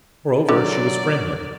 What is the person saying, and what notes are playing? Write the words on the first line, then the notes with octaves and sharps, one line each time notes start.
Moreover, she was friendly.
D3 F#3 D5